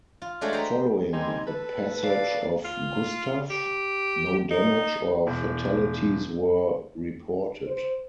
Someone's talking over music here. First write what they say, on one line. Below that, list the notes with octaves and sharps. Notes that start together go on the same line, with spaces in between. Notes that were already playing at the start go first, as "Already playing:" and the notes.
Following the passage of Gustav, no damage or fatalities were reported.
F4
G#3 A3 D4 F#4 C5 C#5
C5 D#5 G5 A#5 B5
G3 C4 D#4 G#5
A4 B4
D5 F5
F4
G4
D#4
E1
C5